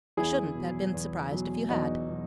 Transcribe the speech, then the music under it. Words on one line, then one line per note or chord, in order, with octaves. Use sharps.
I shouldn't have been surprised if you had.
E2 E4 G#4
B2 F#3
E2
B2 F#3
E2 D#4 F#4
B2 F#3